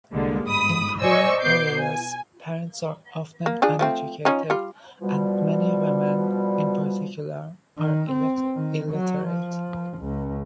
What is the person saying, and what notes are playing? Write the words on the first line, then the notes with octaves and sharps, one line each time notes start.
In poorer areas, parents are often uneducated, and many women, in particular, are illiterate.
C2 D3 G3 G#3 A#3
G1 G#2 B5 D#6
C5 D5 D#5 G#5 C#6 E6
B2 B3 D6 G6 C7
G#5
A#3
F3 D4 G#4
F3 A3 C4
F3 C#4 D#4
G3 F4
B2 F3 G3
D#3
C4
D#3
F#3
F3
C#2